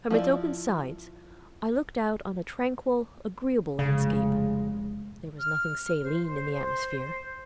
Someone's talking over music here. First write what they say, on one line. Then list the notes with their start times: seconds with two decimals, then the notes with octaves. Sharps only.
From its open sides I looked out on a tranquil, agreeable landscape; there was nothing saline in the atmosphere.
0.11 F3 E4 D5
3.79 F1 C#3 G#3
5.39 F6
6.04 C5
6.27 C5